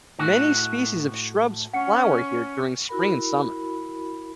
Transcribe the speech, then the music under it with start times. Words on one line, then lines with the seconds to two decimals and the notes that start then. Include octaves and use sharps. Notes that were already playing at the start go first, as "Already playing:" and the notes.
Many species of shrubs flower here during spring and summer.
0.19 A2 F#4
1.74 C#4 F#5 C#7
2.89 E4 F#4 A#4 B5